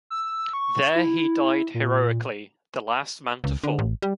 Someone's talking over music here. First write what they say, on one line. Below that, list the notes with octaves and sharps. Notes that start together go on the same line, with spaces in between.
There he died heroically, the last man to fall.
E6
C#6
E4
A#2
C#2
D3
A1
G3